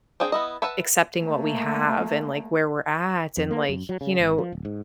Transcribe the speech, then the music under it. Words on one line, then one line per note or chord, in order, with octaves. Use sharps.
accepting what we have and, like, where we're at, and, like, you know, i
C4 D4 G#4 C5 G5
B3 E4 D#5
B4 E5 F#5 A5 B5
A3 A#3
F2
A#3
F#2
F#3
C#3
G#1
F3
D1
G#2